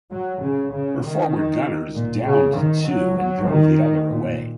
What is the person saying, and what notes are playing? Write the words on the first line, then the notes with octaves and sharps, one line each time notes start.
Her forward gunners downed two and drove the other away.
F#3
C#3
C#3
D#3
A#2
C#3
D#3
F#3
F#3
D#3
A#2